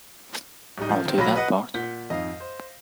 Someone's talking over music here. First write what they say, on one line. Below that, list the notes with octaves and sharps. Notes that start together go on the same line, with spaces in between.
I'll do that part.
D1 G3 D#4
F3
D#3 C4
B1 F#3 F4 B5 A#6
B4 D#5 F#5
A#2 F#5 G6 B6
F2 G#2 D#5 F5
C5